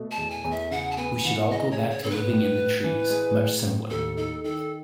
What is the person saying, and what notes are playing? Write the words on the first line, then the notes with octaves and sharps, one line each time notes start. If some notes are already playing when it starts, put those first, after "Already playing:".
We should all go back to living in the trees, much simpler.
Already playing: B2 A3
A5
E2
G#5
E2
E5
C#3 F#5
A5
B3 G#5
E3 F#5
G#3 D#5
C#5
C#3
C#5
B3 A4
B4
A2
A2
E3
G#3
A2
A2
D#2 A4
D#4 A4
D#3 A4